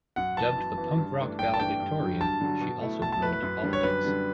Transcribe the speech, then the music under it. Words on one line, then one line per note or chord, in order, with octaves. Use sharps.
Dubbed the "punk-rock valedictorian," she also grew into politics.
F#2 F#5
E3 B3 A5
F#2
E3 B3
G2
E3 A3 D4
G2 G5
A5
E3 A3 D4 G5
G2
D3 F#3
G2 A5
D3 F#3
B2
A3 E4
B2 A5
A5
A3 E4 B4
B4
F#2
D3 G3 D4
C#5
F#2 B4
D3 G3 D4